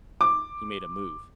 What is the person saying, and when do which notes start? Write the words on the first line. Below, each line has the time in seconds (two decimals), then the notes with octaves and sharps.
He made a move.
0.21 D6